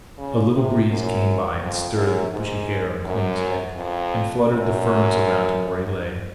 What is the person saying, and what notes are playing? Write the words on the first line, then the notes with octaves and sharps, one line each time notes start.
A little breeze came by and stirred the bushy hair on Kloon's head and fluttered the ferns around him where he lay.
C#3
C3
F#2
F2
F#2
G#2
F#2
F2
F#2